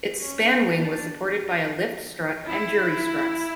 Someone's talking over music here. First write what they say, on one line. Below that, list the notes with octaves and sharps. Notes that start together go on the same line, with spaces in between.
Its span wing was supported by a lift strut and jury struts.
C#4
B3
D4
E4